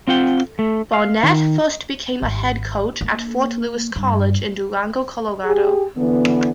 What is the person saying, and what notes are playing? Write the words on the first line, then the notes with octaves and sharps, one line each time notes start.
Barnett first became a head coach at Fort Lewis College in Durango, Colorado.
C4 F4 F#5 G5
A3
F5
D#3
G#1
A#3
G2
G4 G#4
D3 E3 B3